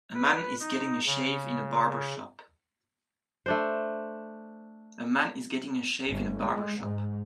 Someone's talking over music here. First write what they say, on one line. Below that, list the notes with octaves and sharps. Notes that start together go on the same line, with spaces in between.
A man is getting a shave in a barber shop.
B4
D#4
C#3
A3 D4 C5
G1
G#3
G#2